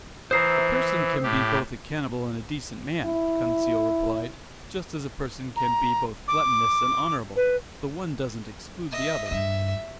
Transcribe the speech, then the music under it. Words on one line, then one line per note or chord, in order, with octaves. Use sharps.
"A person can be both a cannibal and a decent man," Conseil replied, "just as a person can be both gluttonous and honorable. The one doesn't exclude the other."
E3 C5 E5 A#5 D#6 C7
A2 G4
E4
A#5
D6
B4
D#5 E5
G2 E5